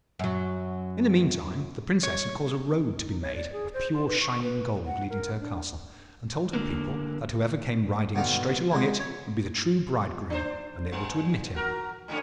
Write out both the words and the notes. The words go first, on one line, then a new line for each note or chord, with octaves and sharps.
In the meantime, the Princess had caused a road to be made of pure shining gold leading to her castle, and told her people that whoever came riding straight along it would be the true bridegroom, and they were to admit him.
F#2 F#3
C#5
D#4
C#5
D5
G#4
C5
C6
B4
C#6
B4
F#5
A#4
D4
D3 A#3
B2 D3 D#3 A4 F5
D#2 D3 G#3 C6
C#5
D4 C5
G3 B3
F#4 A#4
G#2 D3 C#4